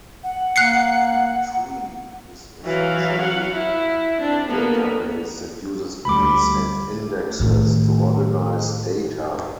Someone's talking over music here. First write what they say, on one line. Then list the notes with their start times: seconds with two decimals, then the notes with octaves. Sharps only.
Btrieve is essentially a database that uses keys and indexes to organise data.
0.23 F#5
0.56 A#3 F#6 C7 C#7
2.65 E3 F#3 F5
3.21 F#5
3.53 E4
4.20 C4 D4
4.50 D3 A#3 B3
6.05 D2 G3 B5 D6
7.40 A2 D#3